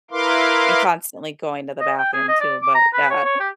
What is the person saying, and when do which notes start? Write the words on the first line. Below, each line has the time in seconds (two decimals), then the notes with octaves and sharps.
and constantly going to the bathroom too, but yeah.
0.11 E4 A#4 B4 F5 C6 D6
1.81 D#5
1.98 G5
2.13 G#4
2.29 D#5
2.40 D5
2.62 D6
2.75 A#5
2.94 B4
3.10 C#5
3.25 C#5
3.40 G4